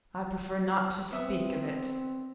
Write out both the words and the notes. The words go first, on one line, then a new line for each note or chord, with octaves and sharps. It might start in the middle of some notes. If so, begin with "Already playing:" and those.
I prefer not to speak of it.'
B3 C4 E5 D#6